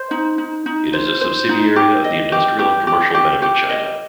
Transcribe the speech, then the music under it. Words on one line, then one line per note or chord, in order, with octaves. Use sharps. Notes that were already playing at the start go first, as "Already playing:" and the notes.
It is a subsidiary of the Industrial and Commercial Bank of China.
Already playing: C5
D#4
D#4
D#4
C5
C5
D#4
G4
D#5
G4
G4
G4
G4
G4
D#5